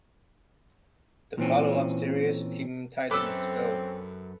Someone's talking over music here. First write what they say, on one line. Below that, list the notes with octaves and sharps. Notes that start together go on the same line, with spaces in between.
The follow-up series, Teen Titans Go!
A#2 E3 C4 C#4
F#2 C4 A4 B4 D6 E6